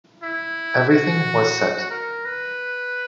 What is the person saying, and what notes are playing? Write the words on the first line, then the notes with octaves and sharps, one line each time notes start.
Everything was set.
E4
F#4
A#4
B4